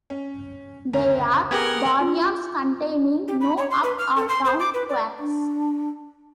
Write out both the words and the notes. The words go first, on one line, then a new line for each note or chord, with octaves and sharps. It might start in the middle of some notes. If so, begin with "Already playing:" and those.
They are baryons containing no up or down quarks.
C#4
F#1 D2 A#5
B3 G4 G#4 A#4 F#5 G5 D#6 G#6
F4
G4
B5
C#5
C6
B4
F6
A4
C6
C5
D6
B4
D5
D4